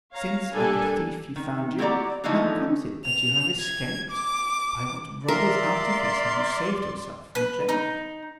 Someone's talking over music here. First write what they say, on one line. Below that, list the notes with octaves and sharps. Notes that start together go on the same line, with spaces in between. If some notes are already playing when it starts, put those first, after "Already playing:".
Since, like a thief he found you, how comes it that you have escaped,--by what robber's artifice have you saved yourself from gaol?'
C#5 F5 A#5
G3 A#3 D4 A4 G#5
D#3
C4 E4 F#4 G4 D5 A#5
D3 E3 F3 A3 D#4 E4
F7
G#6
D6
A#4 D5 E5 F5 A#5 C6
B4
D#4